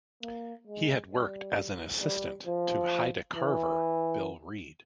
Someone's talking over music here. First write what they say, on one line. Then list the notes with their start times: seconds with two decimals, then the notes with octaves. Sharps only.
He had worked as an assistant to Haida carver Bill Reid.
0.22 A#3
0.67 G#3
1.12 G3
2.02 G3
2.46 F3
3.35 E3